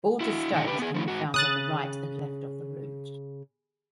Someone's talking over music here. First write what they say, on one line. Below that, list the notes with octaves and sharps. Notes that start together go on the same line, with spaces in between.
Border stones can be found on the right and left of the route.
E4 F#4
A#2 D4 D#4 F#5
D3 G4 B4 G5
B3 G#4
F3 A3 E4
G#2 F#4
C#3 D#6 F#6 A6